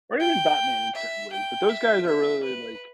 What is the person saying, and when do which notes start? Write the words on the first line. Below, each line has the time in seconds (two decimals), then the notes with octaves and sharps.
or even Batman in certain ways, but those guys are really like
0.20 G5
0.95 E5
1.33 G5
1.70 E5
2.07 E5
2.44 B4